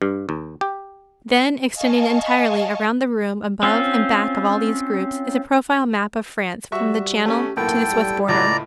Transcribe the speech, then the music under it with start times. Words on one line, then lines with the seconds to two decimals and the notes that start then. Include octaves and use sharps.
Then extending entirely around the room above and back of all these groups is a profile map of France from the Channel to the Swiss border.
0.02 G2
0.29 D#2
0.61 G4
1.74 D#5 F5 G#5 A5 C#6
3.63 C4 C#4 F4
6.72 G3 F#4 E5 C#6
7.26 A3 C#4 G4
7.57 B1 A2 A#3 A4 G5
7.92 G3
8.28 C#2 A2 D5 A#5